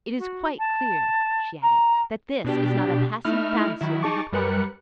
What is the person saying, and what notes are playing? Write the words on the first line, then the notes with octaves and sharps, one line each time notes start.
"It is quite clear," she added, "that this is not a passing fancy on her part."
F#4
A5
A#5
B2 D4 G4
A3 D#4 E4 F6
D#3 F#3 E4
D#4 G#4 A5 C#6 D6
F#2 G3 A#4 B4 F#6 C#7